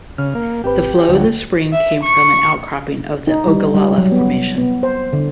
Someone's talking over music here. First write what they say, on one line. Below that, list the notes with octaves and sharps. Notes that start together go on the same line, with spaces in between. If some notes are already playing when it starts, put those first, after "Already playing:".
The flow of the spring came from an outcropping of the Ogallala Formation.
C#3 F6
A#3
G#1 C4 G4 B4
D2 F#3 F4 G5
E5
C#6
D#4
G3
G3
F#3
B3
B3
C5
D3